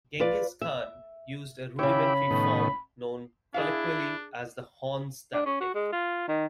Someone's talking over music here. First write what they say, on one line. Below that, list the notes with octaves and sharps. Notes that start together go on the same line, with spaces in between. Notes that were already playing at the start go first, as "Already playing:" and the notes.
Genghis Khan used a rudimentary form known colloquially as the "horns" tactic.
F4 B4 D5
E5
C#3 E4 G4 C#5 B5 D6
A2 D#3 B3
D4 E4 G#4 E5 F5
D4
C#4
F#4
G#3
F4
D#3